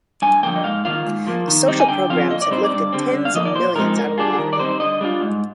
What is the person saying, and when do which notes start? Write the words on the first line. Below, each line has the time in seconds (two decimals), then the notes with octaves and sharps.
Social programs have lifted tens of millions out of poverty.
0.22 G2 G#5
0.43 D3 F3 A#3 G5
0.56 D#5
0.64 G#2 F5
0.85 D#3 A#3 F4 F5
1.06 G#2
1.27 F3 A#3
1.48 D#3
1.68 G3 C4 D#4
1.80 G#5
1.88 D3 G5
2.10 F3 C4 F4 F5
2.30 A#2 D#5
2.42 D5
2.51 G3 C4 D#4 C5
2.64 D5
2.73 G2
2.93 D3 G3 C4
3.14 D3
3.25 F5
3.34 F3 A#3 D#5
3.45 D5
3.55 A#2 C5
3.76 F3 G#3 C4 D#4 A#4
3.96 G#2 A#4
4.18 G3 D4 F4 G#4
4.33 G#4
4.38 D#3 A#4
4.53 D5
4.59 G3 C4 D#4 C5
4.80 D3 D#5
5.01 G3 D4 F4
5.21 G#2